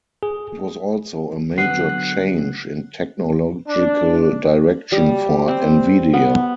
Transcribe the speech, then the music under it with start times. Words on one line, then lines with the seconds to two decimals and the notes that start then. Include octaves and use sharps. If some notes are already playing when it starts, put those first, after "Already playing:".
It was also a major change in technological direction for Nvidia.
0.23 G#4
1.58 D3 F#3 B3 F#6 C7
3.67 D4
4.92 G3
5.48 C4
6.14 B3